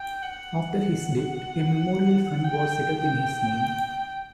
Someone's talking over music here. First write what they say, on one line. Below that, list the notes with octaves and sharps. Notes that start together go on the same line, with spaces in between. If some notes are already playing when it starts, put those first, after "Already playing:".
After his death, a memorial fund was set up in his name.
Already playing: G5
F#5
F#5
G5
G5